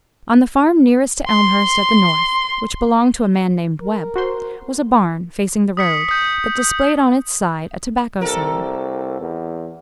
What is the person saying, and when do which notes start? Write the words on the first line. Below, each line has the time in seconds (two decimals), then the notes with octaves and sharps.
On the farm nearest to Elmhurst at the north, which belonged to a man named Webb, was a barn, facing the road, that displayed on its side a tobacco sign.
1.28 C6
3.82 A#4
4.16 F#4 C5 C6
5.77 D#6 B6 C#7
6.08 D#6 G6
6.59 D#6
8.21 C2 A4 A#4
9.20 E2